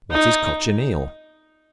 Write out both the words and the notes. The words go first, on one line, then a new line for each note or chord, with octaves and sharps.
What is Cochineal?
D#4